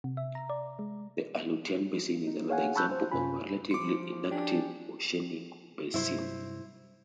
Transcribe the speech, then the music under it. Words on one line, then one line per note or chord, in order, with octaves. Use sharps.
The Aleutian Basin is another example of a relatively inactive oceanic basin.
C3
E5
A#5
D5
G#3
D#4
G#4 C#5 F5 F#5 G#5
A5 B5 C#6 E6 F#6 G6
C5
F#2 C3 C#4 F4 G#5 B5
F3 C6 D6 C#7
D4 G4 G5 G#5
G2 C3 F#3 E4 C5